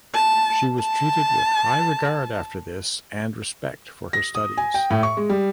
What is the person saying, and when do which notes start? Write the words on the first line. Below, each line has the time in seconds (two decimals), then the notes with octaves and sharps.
She was treated with high regard after this and respect for her studies.
0.15 A5
0.80 A5
4.13 A#6
4.35 D#6
4.57 G#5
4.74 G5
4.90 A2
5.03 C#6
5.17 G#3
5.29 G3